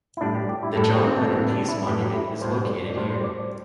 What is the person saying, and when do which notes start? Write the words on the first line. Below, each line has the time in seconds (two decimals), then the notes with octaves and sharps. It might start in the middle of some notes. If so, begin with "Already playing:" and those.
The John Lennon Peace Monument is located here.
0.17 E4
0.21 A2 G3 D4
0.35 G4
0.49 G4
0.63 E4
0.76 A2 G3 A4
0.85 D5
0.90 C5
1.04 C4
1.18 A3
1.26 D4
1.31 A2 E3 G3 C4
1.50 D4
1.68 E4
1.86 A2 E3 G3 G4
2.14 E4
2.41 A2 G3 C5
2.69 D5
2.91 D5
2.96 A2 G3 C5
3.10 C5
3.24 D5
3.38 C5